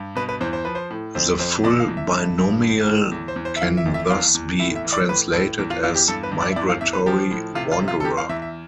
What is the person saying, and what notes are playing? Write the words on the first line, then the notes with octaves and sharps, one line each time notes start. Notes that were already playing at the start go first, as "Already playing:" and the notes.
The full binomial can thus be translated as "migratory wanderer".
Already playing: G2
B2 B4
B4
E2 C5
C5
F3 B4
C5
A2
F2 C5
F2 C5
B2 D5
F5
E2
E5
G2
G2
A2
A2
E2
C5
E2
C5
E5
E3 F5
E5
F2
E5
E2 F5
E2
A2 E5
E5
E3
D5
A2 B4
A2 A4
E2
F4
E2 F4
G4
G2 A4
B4
G2
D5
E5
E2 D5
F5
E2 E5
B4
F3 G4
A2
C3 F4
F4
C3
F4
A4
E2 G4
F5
E2 E5
E5